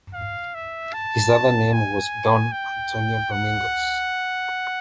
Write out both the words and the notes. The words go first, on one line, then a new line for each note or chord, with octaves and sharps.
His other name was Don Antonio Domingos.
F5
E5
A5
G#5
G5
F#5